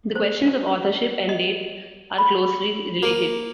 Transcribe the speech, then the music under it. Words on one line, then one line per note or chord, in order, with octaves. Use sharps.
The questions of authorship and date are closely related.
C5
D#5
B5
A#3